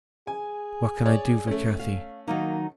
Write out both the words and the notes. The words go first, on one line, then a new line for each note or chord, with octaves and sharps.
What can I do for Cathy?
G#4 G#5
C#5 D5
A3 C#4
F5
D#3 F#3 A#3 D#4